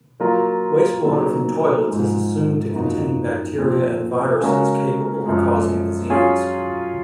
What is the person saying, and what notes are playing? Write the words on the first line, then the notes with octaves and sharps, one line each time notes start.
Wastewater from toilets is assumed to contain bacteria and viruses capable of causing disease.
F#3 A#3 F4 A#4
A#2 F#3 C4 D#4 A#4
G#2 F3 G#3
F#2 F3 A#3 D#4 F#4
A#2 F3 C4
C#3 G#3 C#4 F#4 A#4
F#2 F3 G#3
F#3 C#4 F4 G#4